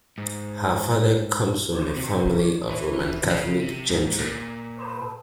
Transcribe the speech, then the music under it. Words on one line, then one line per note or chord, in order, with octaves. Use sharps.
Her father comes from a family of Roman Catholic gentry.
G#2
C3
E3
E3
C3
C#3
C3
G#2
A#2